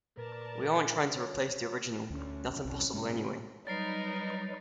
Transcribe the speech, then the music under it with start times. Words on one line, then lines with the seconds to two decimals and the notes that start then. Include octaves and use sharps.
We aren't trying to replace the original; that's impossible anyway.
0.17 A#2 A#4 B4 D5 A5
1.15 C#5
2.10 D2 C#4
2.65 C2
2.93 G#2 C3 G#3
3.67 F#3 G3 D#4 A#4 B4 A6 C7